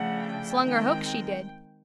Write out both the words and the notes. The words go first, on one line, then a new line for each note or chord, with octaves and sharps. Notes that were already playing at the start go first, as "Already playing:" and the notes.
Slung her hook, she did.
Already playing: C#3 F3 A3 D4 F#5
G5
D#3 G#3 C4